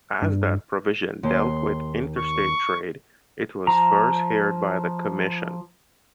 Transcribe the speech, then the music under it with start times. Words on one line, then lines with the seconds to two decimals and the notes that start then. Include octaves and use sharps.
As that provision dealt with interstate trade, it was first heard by the Commission.
0.22 G2
1.23 D#2 C6
2.16 C#6
3.67 F3 A#5